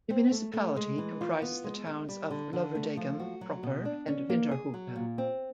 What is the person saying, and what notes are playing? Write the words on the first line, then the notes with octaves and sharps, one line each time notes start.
The municipality comprises the towns of Lovendegem proper and Vinderhoute.
C4
A3
A3
G#3
E3
F4
B3
G#3
G#3
G3
D3
D3
A3
F3
F#4
F#3
B2
D4
C#4
A#3
G#4
F#3
A#2
C4